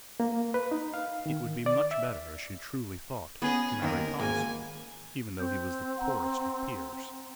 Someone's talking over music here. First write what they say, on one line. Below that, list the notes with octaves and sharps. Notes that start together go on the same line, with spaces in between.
It would be much better, as she truly thought, to marry Conniston, even though he was the poorest of peers.
A#3
B4
D#4
F5
D#3
D5
E5
B3 C#4 G#4 D#5
D#2 A#4
G#1 A#3 G#5
C4 G6
F#5 A#5